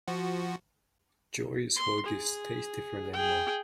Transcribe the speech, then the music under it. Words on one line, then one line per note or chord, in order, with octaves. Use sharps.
Joey's hoagies taste different anymore.
F3 F#4
C6
G#4
G#4 G5